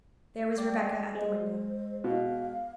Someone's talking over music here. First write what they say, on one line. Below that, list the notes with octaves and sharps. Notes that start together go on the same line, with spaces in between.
There was Rebecca at the window.
D5 G5
G#3 C5
B2 F5